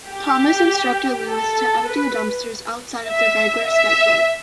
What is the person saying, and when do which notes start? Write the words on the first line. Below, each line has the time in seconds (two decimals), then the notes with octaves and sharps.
Thomas instructed Louis to empty the dumpsters outside of their regular schedule.
0.08 G4
1.28 A4
1.89 B4
3.08 E5
3.67 E5